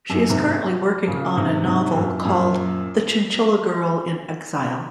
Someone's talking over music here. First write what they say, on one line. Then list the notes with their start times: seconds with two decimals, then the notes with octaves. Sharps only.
She is currently working on a novel called "The Chinchilla Girl in Exile".
0.10 F#2
0.29 G#2 C3
1.08 A#2 C#3
1.37 G#2 C3
1.66 G#2 C3
1.91 G#2
1.95 F#2 A#2
2.25 F#2 A#2